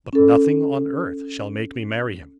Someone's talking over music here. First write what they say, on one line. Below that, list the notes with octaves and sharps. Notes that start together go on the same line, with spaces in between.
But nothing on earth shall make me marry him.
C#4 A4